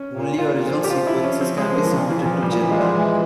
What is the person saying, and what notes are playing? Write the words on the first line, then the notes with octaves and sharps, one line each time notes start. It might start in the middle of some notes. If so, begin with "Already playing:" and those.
Only original sequences can be submitted to GenBank.
Already playing: C#4
A#2
A#2 F4
F3
G4
F3 F4
E4
F3
C#4
F3 C4
G#3
F3
A#3
E3
A#2 C#3
E3
A#2
F3
A#2 G3
F3
E3
F3 G#3
E3